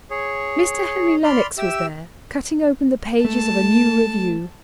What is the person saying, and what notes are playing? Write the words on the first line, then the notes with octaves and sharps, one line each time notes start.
Mr. Henry Lennox was there, cutting open the pages of a new Review.
G#4 C#5
D5 B5 C6 F6
G4 E5 E6
A3 A5